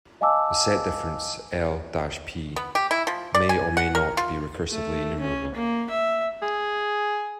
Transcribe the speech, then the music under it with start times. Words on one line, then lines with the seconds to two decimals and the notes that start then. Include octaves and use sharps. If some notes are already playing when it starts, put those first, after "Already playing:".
The set difference "L" - "P" may or may not be recursively enumerable.
0.21 D#5 F5 G#5 A5 D6 E6
2.56 B3
2.75 G4
2.91 E4
3.07 F3
3.35 D5
3.49 G#5
3.77 F#5
3.95 A#4
4.17 F4
4.71 A3
5.20 C#4
5.55 A#3
5.90 E5
6.42 G#4